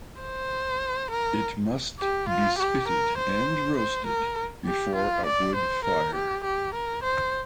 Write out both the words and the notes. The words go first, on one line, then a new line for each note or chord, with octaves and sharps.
It must be spitted and roasted before a wood fire.
C5
A#4
G4
F4
G4
A#4
C5
C5
A#4
G4
F4
D5
C5
A#4
G4
G4
A#4
C5